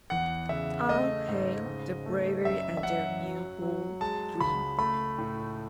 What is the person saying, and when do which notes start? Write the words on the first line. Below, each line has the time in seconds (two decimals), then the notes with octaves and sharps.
All hail The Bravery and their new bold dream.
0.10 E2 F#5
0.49 C#3 E5
0.89 A3 D#5
1.28 G#2
1.66 C#3
2.06 A3
2.45 F#2 E5
2.77 E5
2.83 F#2 F#5
3.23 F#3
3.62 F#3
4.01 G#3 A5
4.40 C#2 B5
4.78 A3 B5
5.18 A2